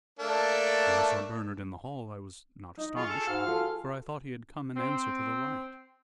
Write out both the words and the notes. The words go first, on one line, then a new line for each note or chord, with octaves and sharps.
When I saw Bernard in the hall I was not astonished, for I thought he had come in answer to the light.
A3 A#3 D4
D#4 D#5
F4 G#4 C#6
A4
G#2 F#4 F5
F4 G#4 A4
C4